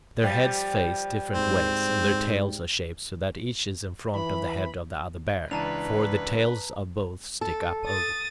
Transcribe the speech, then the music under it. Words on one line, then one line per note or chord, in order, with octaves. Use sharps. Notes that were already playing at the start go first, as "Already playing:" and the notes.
Their heads face different ways, and their tails are shaped so that each is in front of the head of the other Bear; for the tails of both stick up over them.
F3 G3
G#2 C4
E3 B5
C#2 E3 D4 B4 A5 A#5 D#7 F7
A4
D#6 A6